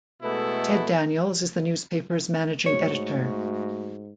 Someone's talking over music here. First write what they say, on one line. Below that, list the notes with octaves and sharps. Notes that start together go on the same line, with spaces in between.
Ted Daniels is the newspaper's managing editor.
B2 G#3 A3 B3 E4 A4
G#2 A3 F#4 C#5